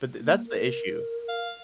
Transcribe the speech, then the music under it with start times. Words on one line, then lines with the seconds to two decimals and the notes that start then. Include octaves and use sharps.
But th that's the issue.
0.18 A#3
0.47 A#4
1.29 F5